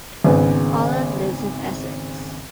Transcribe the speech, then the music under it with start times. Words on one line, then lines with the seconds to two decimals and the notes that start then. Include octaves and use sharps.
Holland lives in Essex.
0.24 G#1 C#3 B3 G#4